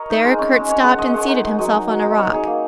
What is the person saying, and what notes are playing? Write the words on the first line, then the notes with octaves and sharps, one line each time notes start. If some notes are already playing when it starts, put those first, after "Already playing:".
There Kurt stopped and seated himself on a rock.
Already playing: A#4 C#5 D#5
D#4
G#3
C#4
G#3
C#4 C#5
G#3 F#5
G#3 D#5
G#3 F#5
D#4
G#3
F#3 D#5
D#4
F#3
D#4
D#4 C#5
D#4 G#4
A#3